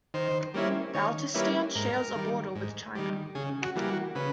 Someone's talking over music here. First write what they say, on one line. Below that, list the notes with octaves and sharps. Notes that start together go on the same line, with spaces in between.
Baltistan shares a border with China.
D#3 C5
G3 A#3 C#4 E4
D#3 C#5
G3 A#3 C#4 E4 B4
G#2 A#4
D#3 G3
G#2
D#3 G3
C#3 G#4
F#4
E3 G3 A#3
F#4
C#3 B4